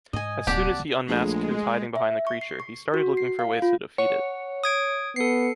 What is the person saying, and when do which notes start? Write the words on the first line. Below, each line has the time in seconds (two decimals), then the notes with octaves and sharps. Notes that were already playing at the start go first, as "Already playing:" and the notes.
As soon as he unmasked who’s hiding behind the creature, he started looking for way to defeat it...
0.13 G#2 D#5 G#5
0.47 D#1 C2 A#3 C4 G4 D5 F#5 A5
1.08 A#1 G#3 A3 G#4
1.96 E5
2.27 C#6
2.41 C7
2.60 C#6
2.94 F#4
3.17 C7
3.39 F5
3.62 F4
3.98 C#5 F#5
4.64 D#6 G#6 D7
5.16 B3 A4 C7 C#7